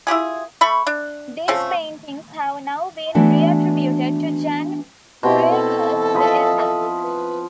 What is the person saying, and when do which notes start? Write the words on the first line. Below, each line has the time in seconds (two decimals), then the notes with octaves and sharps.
These paintings have now been reattributed to Jan Brueghel the Elder.
0.07 E4 F4 G4 G#4
0.61 A3 B5 C#6
0.87 D4
1.48 F3 A3 C4 C#4
3.15 E3 A3 B3 D4 F#4
5.23 B2 C4 E4 G4
5.50 A4
6.14 F3 D#5 B5
7.03 B4